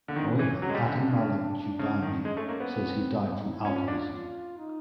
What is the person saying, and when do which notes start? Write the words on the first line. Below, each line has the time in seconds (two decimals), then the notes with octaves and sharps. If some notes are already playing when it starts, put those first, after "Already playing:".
However, Ata-Malik Juvayni says he died from alcoholism.
0.08 D3 A#3
0.16 D#3 B3
0.39 E3 C#4
0.62 F#3
0.69 G#3
0.74 G3
0.86 D3 D4
1.09 C#3
1.79 C#3
2.02 D#3
2.19 D4
2.25 G#3 C#4
2.37 A3
2.49 A#3
2.60 B3
2.72 C4
2.81 C#4
2.90 C4
3.18 B3
3.38 D#4
3.51 E4
3.64 C#4 F4
3.76 C#4
3.88 D4
4.12 F4
4.57 D#4